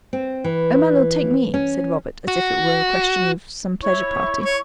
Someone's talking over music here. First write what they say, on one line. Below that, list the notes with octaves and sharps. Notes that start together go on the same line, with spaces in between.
"Oh, my Lord, take me," said Robert, as if it were a question of some pleasure party.
C4
E3
C#4
F#4
E4 C#5 C#6
C#5